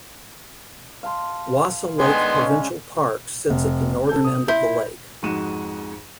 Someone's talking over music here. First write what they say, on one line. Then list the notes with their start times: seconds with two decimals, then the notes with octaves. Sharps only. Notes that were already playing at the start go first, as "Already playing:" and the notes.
Wasa Lake Provincial Park sits at the northern end of the lake.
1.03 F5 A5 C6
2.00 D3 D#3 G#3 B3 G#5 C6
2.36 C#3 C#4
3.50 F1
4.09 A4 G6
4.24 D#6
4.48 E4 C6 G6
5.23 F2 G#2 G#3 F#4 D#7 E7